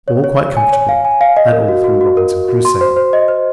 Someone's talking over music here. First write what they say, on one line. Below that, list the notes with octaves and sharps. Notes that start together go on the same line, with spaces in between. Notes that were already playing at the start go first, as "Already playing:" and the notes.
All quite comfortable, and all through ROBINSON CRUSOE!
C#5
C#5
C#5
G#5
C#5
F5
G#5
F5
D#5
A#4
F#4
F#4
F#4
A#4
F#4
F#4
C6
C5
C5
D#5
C5